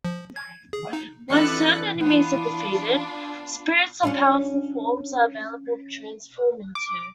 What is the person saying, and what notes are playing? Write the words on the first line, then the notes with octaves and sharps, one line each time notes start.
When certain enemies are defeated, spirits of powerful forms are available to transform into.
F3
G#6
G#4
D#4
F2 E3 D4 A4 B4 F#6 C#7
B3 D4 F4
C#4 D4 F4
D6